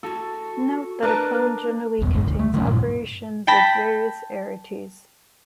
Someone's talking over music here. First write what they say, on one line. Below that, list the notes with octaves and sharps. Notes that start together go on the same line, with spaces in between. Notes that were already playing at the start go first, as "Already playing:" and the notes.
Note that a clone generally contains operations of various arities.
F#4 A4
D4 A#4 B4
B1 E2 G2 B2
G1
D2
A3
D3 F#3 C4 C#4
G2 A#2
G5 A5 B5 A#6 B6